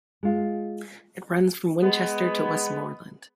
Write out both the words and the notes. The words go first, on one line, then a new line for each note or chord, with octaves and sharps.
It runs from Winchester to Westmoreland.
G#3 F4
G#3 B3